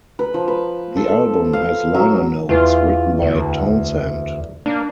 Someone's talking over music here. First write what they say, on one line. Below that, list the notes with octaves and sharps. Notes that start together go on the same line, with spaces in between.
The album has liner notes written by Townshend.
B4
F3
B4
A4
F5
F#3
E2 E3 F4
D2
A#3 D4